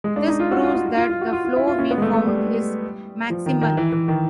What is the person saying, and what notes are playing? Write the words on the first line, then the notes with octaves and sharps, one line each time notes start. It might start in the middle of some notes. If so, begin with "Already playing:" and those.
This proves that the flow we found is maximal.
G#3
D4
D#4
F4
F#4
F4
F4
F4
F4
F4
F#4
F4
F4
E4
F4
C#4
B3
G#3
A3
A3
G3
F3
D#3
D#3
E3
E3
D#3